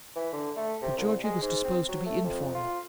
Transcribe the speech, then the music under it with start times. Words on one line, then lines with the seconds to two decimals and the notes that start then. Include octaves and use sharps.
But Georgie was disposed to be informal.
0.16 E3
0.33 D3
0.57 A3
0.82 C3
0.97 C2
1.24 G#3
1.42 G#2
1.64 C4
1.89 F#3
2.06 A3
2.24 F2
2.55 F4